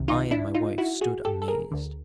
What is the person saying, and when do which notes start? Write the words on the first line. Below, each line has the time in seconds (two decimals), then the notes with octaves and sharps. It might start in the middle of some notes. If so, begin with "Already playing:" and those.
I and my wife stood amazed.
Already playing: C2 C3 D#3
0.08 D#4 F4
0.31 D4 E4
0.54 D#4 F4
0.78 E4 F#4
1.01 F#4 G#4
1.25 G4 A4
1.42 A4
1.48 G#4 A#4
1.72 D2 D3